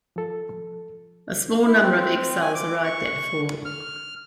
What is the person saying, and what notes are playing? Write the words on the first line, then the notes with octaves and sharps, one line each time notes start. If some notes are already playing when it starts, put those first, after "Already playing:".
A small number of exiles arrived that fall.
F3 A4
E4
C4
G#5
D6
C#6
F6